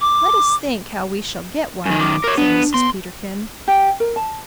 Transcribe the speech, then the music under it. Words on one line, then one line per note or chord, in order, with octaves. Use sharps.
"Let us think how we shall get one," said Mrs. Peterkin.
D6
F#2 D#3 G#5
D6
A#4 C#5
B3 D4
B3 C6
G4
A#4
A5